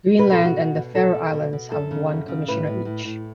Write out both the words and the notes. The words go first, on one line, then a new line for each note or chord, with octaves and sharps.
Greenland and the Faroe Islands have one Commissioner each.
B2 B4
A4
B2
F#4
B2
B2
B2 A4
B2
B2
B2
F#2 A4
C#3
F#2
C#3
A2 B4
A2
A2
A2